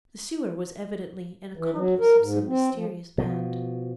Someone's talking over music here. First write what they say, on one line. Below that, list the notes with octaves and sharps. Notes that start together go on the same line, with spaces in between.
The sewer was evidently an accomplice of some mysterious band.
E3
F#3
A#4
G#2
C4
F3
B2 F3